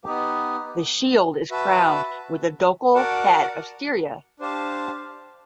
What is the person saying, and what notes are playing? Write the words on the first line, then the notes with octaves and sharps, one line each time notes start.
The shield is crowned with the ducal hat of Styria.
B3 D#4 G4
F#4 B4 E5 A5
F#4 A#4 D5 F#5 A5
D4 G4 C5 F5 A5